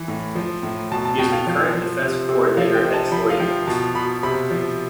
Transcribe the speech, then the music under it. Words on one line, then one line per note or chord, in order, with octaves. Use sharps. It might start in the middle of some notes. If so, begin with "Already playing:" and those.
He is the current defensive coordinator at Troy University.
Already playing: E3
A2
F3
A2
B2 A5
A5
B2 G5
F5
F3
F3
C3
C3
F3 F5
G5
C3
A5
F3 B5
F5
F3 G5
B2 A5
B2 B5
C3 B5
F3